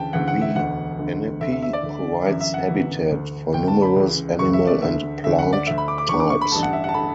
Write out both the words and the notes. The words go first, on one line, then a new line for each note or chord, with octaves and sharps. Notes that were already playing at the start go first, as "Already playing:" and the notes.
The Ennepe provides habitat for numerous animal and plant types.
Already playing: D2 C#3 E3 G5 A5
D2 C#3 E3 F#5
F#5
E5
E1 D2 D3 F#5
E1 D2 D3
D2 D3 E5
E5
E5
D5
D2 D3
G1 F#2 E3 E5
E5
F#5
G1 F#2 E3
D2 D3
D2 D3 G5
A5
B5
C#2 C#3 E3
C#2 C#3 E3 C#6
E5
D5
D2 D3 E5
D2 D3 E5
F#5
D5
D2 D3 E5
B5
D6
D6
D2 D3 C#6
D6
C#6
B5
A1 G2 D3 A5
F#5
E5
F#5 A5
D3 B5